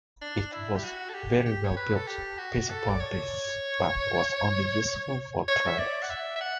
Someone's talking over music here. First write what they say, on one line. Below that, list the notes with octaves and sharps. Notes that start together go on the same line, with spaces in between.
It was very well built, piece upon piece, but was only useful for trade.
D4
E4
G4
F#4
A4
G4
G4
C#5
B4
A4
G4
F#4
A4
D5
C#5
C#5
E5
D5
F#5
E5
E5
F#5